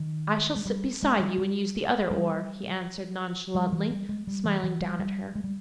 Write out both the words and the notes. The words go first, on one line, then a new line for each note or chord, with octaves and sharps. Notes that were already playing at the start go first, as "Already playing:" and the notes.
"I shall sit beside you and use the other oar," he answered nonchalantly, smiling down at her.
Already playing: D#3
G#3
G3
G#3
G3
G3
G3
G3
E3
G3
G#3
G3
E3
E3
G3
G3
G#3
G3